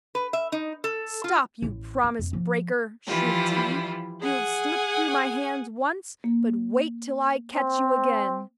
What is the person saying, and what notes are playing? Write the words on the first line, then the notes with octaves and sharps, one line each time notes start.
'Stop, you promise-breaker,' shrieked he; 'you have slipped through my hands once, but wait till I catch you again!'
B4
E5
D#4
A4
F4
A1
B3
F2
F3
E3 F3 G3 E4 F4
G#4 F#5 G#5
A#3
C4